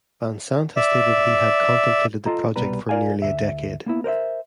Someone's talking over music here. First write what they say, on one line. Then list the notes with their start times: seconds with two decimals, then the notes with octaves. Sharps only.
Van Sant has stated he had contemplated the project for nearly a decade.
0.76 D5 E5
2.26 F4 A4 D#5 A#5
2.56 C2 B2 G3 B4 A#5
2.89 F4 A#4 D5 F5 G#5
3.22 D2 A#2 E5
3.86 A#3 B3 E4
4.04 A#4 C5 D5 E5